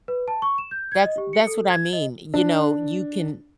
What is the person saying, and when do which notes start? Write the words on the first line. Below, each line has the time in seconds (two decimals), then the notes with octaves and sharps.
That's that's what I mean, you know, you can
0.08 B4
0.28 A5
0.42 C#6
0.58 E7
0.71 G6
0.92 G#6
1.05 D#5
1.18 G4
1.33 C#7
1.47 A4
1.70 G#6
1.93 D#5
2.34 D4